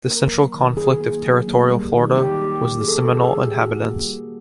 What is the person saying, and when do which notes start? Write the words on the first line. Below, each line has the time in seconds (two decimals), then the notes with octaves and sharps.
The central conflict of Territorial Florida was the Seminole inhabitants.
0.08 A#3 A#4
0.31 F#3
0.54 D#3
0.77 D#3 G#4
1.01 A#3
1.25 F#3
1.48 A#3
1.70 G3
1.95 D#3
2.18 D#3 G4
2.41 A#3
2.65 G3
2.81 G#4
2.87 A#3 A4
3.06 A4
3.12 G3
3.23 G#4
3.34 D3
3.40 G4
3.58 D3 F#4
3.81 A#3
4.04 G3